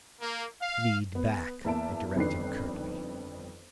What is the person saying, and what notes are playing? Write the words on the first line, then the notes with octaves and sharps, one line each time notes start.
"Lead back," I directed curtly.
A#3
F5
B3
E2 A#3 E5 A5 D7
G1 F2 D#3 D4 B4 C7